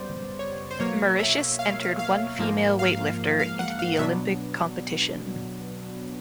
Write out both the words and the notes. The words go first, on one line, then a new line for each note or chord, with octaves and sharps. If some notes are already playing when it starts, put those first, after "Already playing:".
Mauritius entered one female weightlifter into the Olympic competition.
Already playing: F#2 C#3 G3 B3 C5 D5
C#5
C5
B2 F#3 A#3 C#5
E5
F5
F5
G#2 F3 A#3
F5
F5
F#5
F5
B2 F#3 B3 D4 E5